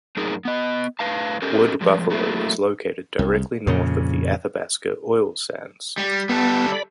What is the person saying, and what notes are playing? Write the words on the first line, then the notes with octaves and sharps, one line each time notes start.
Wood Buffalo is located directly north of the Athabasca Oil Sands.
F#2 A2 D#4 G#4 A#4
B3 D#5
A2 B4 F5 A5
C#4 G4 A4 A#4
G2 F3 G#3
F#3 A3 A#3 E4
C2
F2 A#2 C#3
G3
G3 B3 A4
D5 B5